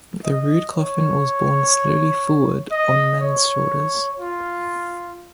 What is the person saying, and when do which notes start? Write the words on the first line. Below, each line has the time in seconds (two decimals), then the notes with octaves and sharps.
The rude coffin was borne slowly forward on men’s shoulders.
0.25 D#5
0.74 C#5
2.71 D#5
3.21 C#5
4.20 F4